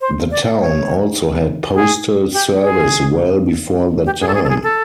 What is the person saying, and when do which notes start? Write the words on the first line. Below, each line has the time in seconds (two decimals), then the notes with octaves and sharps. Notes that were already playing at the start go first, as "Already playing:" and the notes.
The town also had postal service well before that time.
0.01 C5
0.31 D5
0.60 C#5
1.75 G#4
2.33 G4
2.62 G#4
4.06 G4
4.21 G#4
4.28 A4
4.35 G#4
4.44 A4
4.49 G#4
4.63 A4